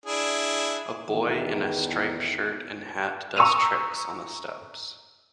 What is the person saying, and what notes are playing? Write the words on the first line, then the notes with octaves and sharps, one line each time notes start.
A boy in a striped shirt and hat does tricks on the steps.
D4 E4 G#4
E2 D#3
A#5 C#6 D#6 E6 D#7 F7